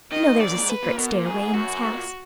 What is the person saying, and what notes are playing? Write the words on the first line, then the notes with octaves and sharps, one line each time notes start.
You know there's a secret stairway in this house.
D#3 D#5
F#2
G#2 D5
F#2
A#2
G#2
B4
A#2
B2 A#4
A#2
G#2 G#4
F#2
G#2
F#2 F#4
G#2
A#2